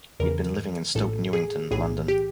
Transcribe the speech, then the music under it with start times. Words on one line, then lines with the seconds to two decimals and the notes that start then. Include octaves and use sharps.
He had been living in Stoke Newington, London.
0.20 E2 C#3 E3 A#4
0.95 A#1 A2 E3 A4
1.33 G#4
1.71 B1 A2 E3 G#4
2.08 G4